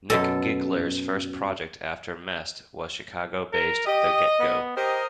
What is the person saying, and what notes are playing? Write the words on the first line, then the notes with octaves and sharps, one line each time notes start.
Nick Gigler's first project after Mest was Chicago-based The Get Go.
F#2 B2 A4
A#4
G4 D#5
B3
G4 A#4 C5 D#5